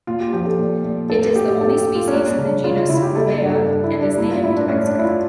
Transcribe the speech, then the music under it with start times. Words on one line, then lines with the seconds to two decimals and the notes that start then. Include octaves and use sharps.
It is the only species in the genus Malea, and is native to Mexico.
0.07 A#2 F4
0.20 G4
0.33 F3 G4
0.45 A4
0.59 A#2
0.84 A#2
1.10 A2 A4
1.23 G4
1.35 A2 G4
1.49 G4
1.61 A2 A4
1.78 G4
1.87 A2
1.95 F4
2.08 C#4
2.12 A#3 D4
2.30 C#4
2.38 C#3
2.47 D4
2.64 C#3 F4
2.77 F4
2.89 C#3 E4
3.03 G4
3.15 A#3 A4
3.33 A4
3.41 G2 A#4
3.50 A4
3.67 G2 D4
3.84 E4
3.93 G2
4.01 D4
4.18 A#3 E4
4.31 F4
4.44 A2 E4
4.56 D4
4.69 A2 C#4
4.87 D4
4.95 A2 E4
5.03 F4